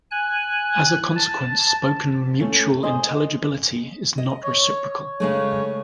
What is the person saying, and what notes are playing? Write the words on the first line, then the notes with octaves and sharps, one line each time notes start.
As a consequence, spoken mutual intelligibility is not reciprocal.
G#5 F#6
A5
A3 C#4
G#4 C5 D#5
D#5
C#5
C#3 G#3 A3 C#5